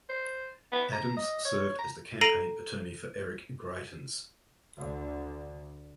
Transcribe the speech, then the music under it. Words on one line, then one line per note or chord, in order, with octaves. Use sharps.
Adams served as the campaign attorney for Eric Greitens.
C5
B3
A#5
D#5
C#5
A#5
A4 A#5 A#6 C7 D7 D#7
D2 D3